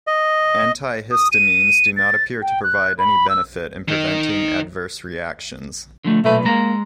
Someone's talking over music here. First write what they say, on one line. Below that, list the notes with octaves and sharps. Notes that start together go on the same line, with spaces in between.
Antihistamines do not appear to provide any benefit in preventing adverse reactions.
D#5
D#6
D#7
A6
G5
F#6
B5
E6
D#3 D#4
D3 F3 A3
B1 A#2 A3 B4
G#3 A#3 A#5